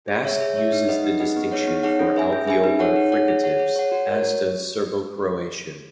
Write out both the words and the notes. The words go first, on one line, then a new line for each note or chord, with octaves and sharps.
Basque uses the distinction for alveolar fricatives, as does Serbo-Croatian.
G#4
C#5 E5
G#4
C#5 E5
D#4
G#4 B4 D#5 F#5
D#4
G#4 B4 D#5 F#5
B3
D#4 G#4 C#5 F#5
B3
D#4 G#4 C#5 F#5
C#4
G#4 B4 E5 G#5
C#4
G#4 B4 E5 G#5
D#4
G#4 C#5 F#5
D#4
G#4 C#5 F#5
G#4
C#5 F#5
G#4
C#5 F#5
F#4
A#4 C#5